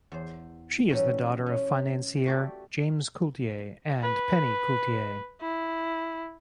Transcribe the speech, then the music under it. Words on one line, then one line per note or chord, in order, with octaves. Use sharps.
She is the daughter of financier James Coulter and Penny Coulter.
E2 C5
E3 F#3 G3 C#4 D#4
C#4
A3 F#4 G4 A4 D5
B4
E4